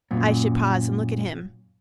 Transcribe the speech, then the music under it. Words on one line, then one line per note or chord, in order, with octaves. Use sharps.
I should pause and look at him.
F#2 A#2